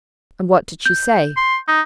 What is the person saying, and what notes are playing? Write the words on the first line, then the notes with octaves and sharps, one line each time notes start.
"And what did she say?"
G6
C6
D#4